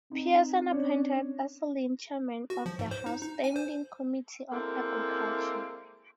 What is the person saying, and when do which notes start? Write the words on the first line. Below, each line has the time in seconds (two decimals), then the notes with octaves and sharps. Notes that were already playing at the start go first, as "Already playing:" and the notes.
Pearson appointed Asselin chairman of the House Standing Committee on Agriculture.
0.12 C4 D#4
0.70 C#4 D4 C#5
2.50 F#4
2.66 F3
2.79 G#2
2.91 C5
3.06 D#4
3.21 D#4
3.44 G#5
3.56 C5
4.52 G#3 A#3 C4 E4 A4